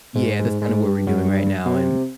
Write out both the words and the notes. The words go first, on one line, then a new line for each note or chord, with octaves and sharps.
Yeah, that's kinda what we're doing right now, and
G#2
G#2
G#2
G2
F#2
G2
B2
C3